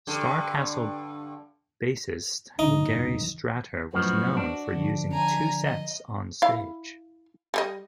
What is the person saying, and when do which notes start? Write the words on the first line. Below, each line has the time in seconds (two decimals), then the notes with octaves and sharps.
Starcastle bassist Gary Strater was known for using two sets on stage.
0.07 G2 D3
2.59 D#4
3.94 F#2 A2 F3 F#4 B4 C5 D#5
4.37 D4
4.73 D3 F3
5.13 G#5 A#5
5.63 D#5
6.42 E4 F5
7.54 G3 G4 D#5